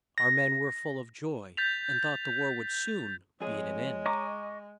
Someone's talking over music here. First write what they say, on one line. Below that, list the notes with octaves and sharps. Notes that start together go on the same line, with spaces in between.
Our men were full of joy, and thought the war would soon be at an end.
A#6
G6 A6 B6 F7
F2 G#3 G#4 C#5
D#5 A#5 C#6 D6